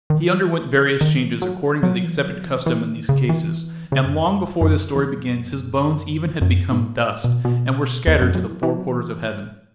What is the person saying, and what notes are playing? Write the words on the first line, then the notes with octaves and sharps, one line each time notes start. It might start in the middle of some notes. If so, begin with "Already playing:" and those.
He underwent various changes according to the accepted custom in these cases, and long before this story begins his bones even had become dust, and were scattered to the four quarters of heaven.
D#3
E3
D#3
E3
F#3
F#3
E3
F#3
E3
E3
D#3
C#3
E3
C#3
F#2
E2
F#2
F#2
E2
G#2
F#2
F#2
G#2
A2
B2
B2
E2
F#2
F#2
E3
E3
F#3
E3